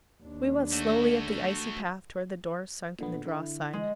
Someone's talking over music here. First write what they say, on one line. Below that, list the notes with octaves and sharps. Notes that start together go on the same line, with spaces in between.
We went slowly up the icy path toward the door sunk in the drawside.
D#2 D4
A3 F#4
A#2 D3 B3
D3 E4
G#3